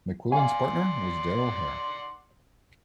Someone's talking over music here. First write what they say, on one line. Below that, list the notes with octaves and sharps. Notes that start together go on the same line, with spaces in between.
McQuillan's partner was Darrell Hair.
D5 F5 F#5 G#5 C6